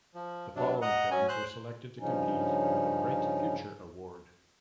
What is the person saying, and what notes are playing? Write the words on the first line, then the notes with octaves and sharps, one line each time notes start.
The following films were selected to compete for the Bright Future Award.
F3
C3 F#3 D4
D#5 F#5 A#5
F#3 C#4 G#5
C5 F#6
G2 C#3 F3 C#4 D#4